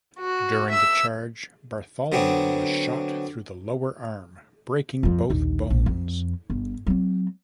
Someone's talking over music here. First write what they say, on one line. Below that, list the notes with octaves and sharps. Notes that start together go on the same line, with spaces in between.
During the charge Bartholomew was shot through the lower arm breaking both bones.
F#4
E5 E6
D3 F#3 B3 C4 D4 F#4
F2 F3
A#1 D#2
A#1
F2
G1
F#3 C4